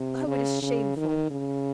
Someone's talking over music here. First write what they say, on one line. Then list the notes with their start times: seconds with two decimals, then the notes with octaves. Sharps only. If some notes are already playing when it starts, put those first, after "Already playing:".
Oh! it is shameful!
Already playing: C3
0.27 C#3
0.62 C#3
0.97 D#3
1.31 C#3